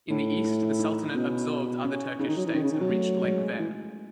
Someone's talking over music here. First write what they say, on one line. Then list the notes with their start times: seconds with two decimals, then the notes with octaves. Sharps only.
In the east, the sultanate absorbed other Turkish states and reached Lake Van.
0.10 A2 D#4
0.45 E4
0.63 E4
0.79 D#4
1.15 B2 C#4
1.85 C#4
2.19 C#3 D#4
2.29 D#3
2.37 F#3
2.46 E3
2.54 D#3 C#4
2.63 C#3
2.72 D#3
2.81 F#3
2.89 A3
3.25 G#3
3.60 E3